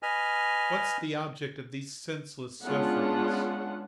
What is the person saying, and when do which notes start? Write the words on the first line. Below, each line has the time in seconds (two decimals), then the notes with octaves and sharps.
What's the object of these senseless sufferings?
0.03 B4 D#5 G#5 F6
2.65 G#3 B3 C#4 D4 F4 F#5